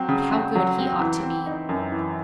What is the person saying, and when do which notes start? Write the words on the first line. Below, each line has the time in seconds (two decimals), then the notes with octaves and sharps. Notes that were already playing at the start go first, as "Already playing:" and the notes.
But how good he ought to be!'
Already playing: F#3 C4
0.09 C#3
0.32 C#3
0.55 F#3
0.78 C4
1.00 E3
1.23 C4
1.46 D#4
1.69 F#2
1.92 E3